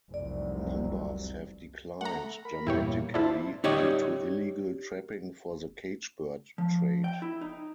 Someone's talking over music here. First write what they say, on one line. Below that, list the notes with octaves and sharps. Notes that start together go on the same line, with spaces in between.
Numbers have declined dramatically due to illegal trapping for the cage-bird trade.
F1 C2 F#3 D5
A3 F#5 A#5
A#4 B5
E2 G2 A#2 E4 G4 C#5
D4 E4 F4 C5 A5
D#4 G4 C#5 D5
F3
G5
E4
D#4